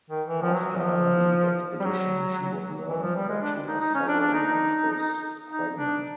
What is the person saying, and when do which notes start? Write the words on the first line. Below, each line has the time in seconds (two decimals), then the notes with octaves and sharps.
After the expedition she would learn that she was several months pregnant.
0.10 D#3
0.27 E3
0.42 F3
0.54 F#3
0.76 E3
0.80 F3
1.80 G3
1.84 F#3
2.89 E3
3.03 F3
3.16 G3
3.28 G#3
3.42 D4
3.68 D#4
3.81 D#4
3.94 C#4
4.08 D4
4.20 D4
4.33 D#4
5.51 D#4
5.77 D4